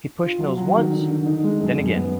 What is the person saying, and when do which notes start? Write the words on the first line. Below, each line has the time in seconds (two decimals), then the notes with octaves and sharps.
He pushed Mills once, then again.
0.24 F4
0.40 F#3
0.57 F#3
0.75 D#3
0.92 D3
1.09 D3
1.26 D#4
1.44 G#3
1.60 F#2
1.78 F#2
1.95 B3